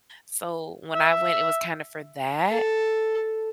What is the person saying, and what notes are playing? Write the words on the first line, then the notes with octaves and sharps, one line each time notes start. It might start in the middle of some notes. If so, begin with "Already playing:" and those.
So when I went, it was kinda for that.
E5
A4